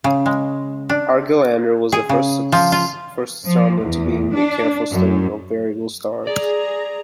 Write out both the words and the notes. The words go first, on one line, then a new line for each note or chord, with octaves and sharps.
Argelander was the first astronomer to begin a careful study of variable stars.
C#3
G#3
D4
G#4
C#3
F3
F4
F3
E2
D4
F#2
G#4 D5 A#5